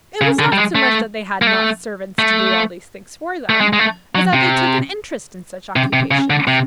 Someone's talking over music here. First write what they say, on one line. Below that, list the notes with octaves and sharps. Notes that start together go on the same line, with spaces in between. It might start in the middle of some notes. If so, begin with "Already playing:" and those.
It was not so much that they had not servants to do all these things for them, as that they took an interest in such occupations.
C#3
D3
G3
G#3
A3
A#3
A3
A3
A3
G#3
G#3
A3
F#3
C3
C3
C3
C#3
D3
C3